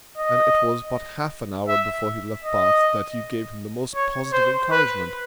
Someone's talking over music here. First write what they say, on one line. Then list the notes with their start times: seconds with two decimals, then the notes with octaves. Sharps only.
And it was but half an hour before he left Bath that you gave him the most positive encouragement.
0.18 D#5
1.68 E5
2.44 D#5
3.95 C#5
4.33 C5
4.71 B4